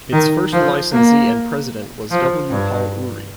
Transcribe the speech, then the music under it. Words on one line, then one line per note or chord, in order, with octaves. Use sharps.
Its first licensee and president was W. Paul Oury.
D#3
F3
A#3
F3
G2